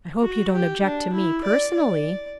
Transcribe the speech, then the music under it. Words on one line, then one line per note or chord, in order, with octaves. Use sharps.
"I hope you don't object to me personally."
F#4
G4
D4
E4
D5
D5